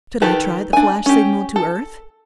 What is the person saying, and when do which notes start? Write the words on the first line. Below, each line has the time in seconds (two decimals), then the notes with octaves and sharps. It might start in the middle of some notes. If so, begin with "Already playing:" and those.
Should I try the flash signal to Earth?
0.22 D#3 G4 A4 B4
0.73 D4 G#5
1.06 C#4 G4
1.56 A4